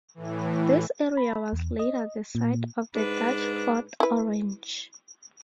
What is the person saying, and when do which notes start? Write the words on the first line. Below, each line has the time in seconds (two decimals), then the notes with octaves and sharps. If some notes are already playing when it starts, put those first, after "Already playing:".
This area was later the site of the Dutch Fort Orange.
0.15 A2 E3
1.17 B5
1.53 E2
1.79 D#5
2.35 A#2
2.95 G#2 D4 B4
4.00 E4 B4